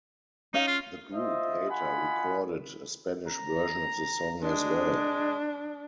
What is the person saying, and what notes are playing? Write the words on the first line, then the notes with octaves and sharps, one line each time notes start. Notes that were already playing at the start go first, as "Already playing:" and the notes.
The group later recorded a Spanish version of the song as well.
C#4 D#4 F5
F4
F4 C5 D#5 E5
F4 D#5 F#5 G#5 B5
A#5
G#3 D4